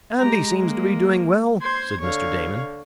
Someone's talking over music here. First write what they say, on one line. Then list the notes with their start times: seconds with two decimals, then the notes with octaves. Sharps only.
"Andy seems to be doing well," said Mr. Damon.
0.20 G#3 G4 A#5
0.58 A#3
1.61 C5 C6 G#6
2.00 D3 C#5 F5